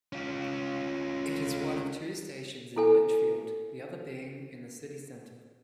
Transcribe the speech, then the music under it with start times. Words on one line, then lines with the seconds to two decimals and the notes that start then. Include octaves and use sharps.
It is one of two stations in Lichfield, the other being in the city-centre.
0.13 C#4 F4
2.76 E4 A4 G#5